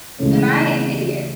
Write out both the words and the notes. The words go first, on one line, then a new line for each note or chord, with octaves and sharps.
Am I an idiot?
C#2 C#3 E3 A3 C#4